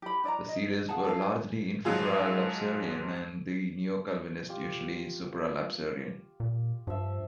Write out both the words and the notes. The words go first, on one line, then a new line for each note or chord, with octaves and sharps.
The Seceders were largely infralapsarian and the Neo-Calvinists usually supralapsarian.
G4 B5
D4 D5 D#5 A#5
D#5
G#4 F5 F#5 A5
A4 F5
D4 G#5
G#2 F3 F#3 F4 G#4
F4 G4
A#2
G2 F3 E5